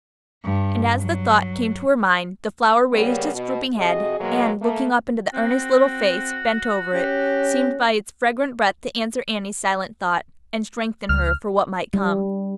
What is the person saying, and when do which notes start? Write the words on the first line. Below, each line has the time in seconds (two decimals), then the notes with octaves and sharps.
And as the thought came to her mind, the flower raised its drooping head, and, looking up into the earnest little face bent over it, seemed by its fragrant breath to answer Annie's silent thought, and strengthen her for what might come.
0.44 G2
1.00 F#3
2.94 C#3 G3 A#3 B3 C#4
3.34 B2
3.76 F2 C3 F#4 G#4 D#5
4.20 B2 F#3 G#3 A#3
4.61 A3 A#3
5.33 C4 F#4
6.94 C#4 G4
11.09 C#2 F6
11.94 G3